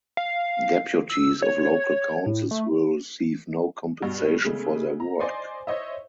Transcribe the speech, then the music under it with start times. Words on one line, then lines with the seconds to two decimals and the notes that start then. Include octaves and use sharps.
Deputies of local councils will receive no compensation for their work.
0.17 F5
1.10 E6
1.42 C#5
2.26 A2
2.51 A3
4.02 G2 B2
4.44 C#3 G#3 A3 B3
5.00 A#5
5.20 C5 D5 D#5 G#5 C6
5.67 C5 C#5 D#5 E5